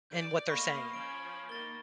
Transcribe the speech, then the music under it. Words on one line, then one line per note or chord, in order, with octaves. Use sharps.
and what they're saying.
D5 G6
A#3 D#5 F5 B5 C#6
F3 C#4 D7 F7
D#3 A#3 A6 G7